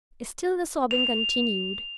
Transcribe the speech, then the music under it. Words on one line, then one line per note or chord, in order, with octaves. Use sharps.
Still the sobbing continued.
F7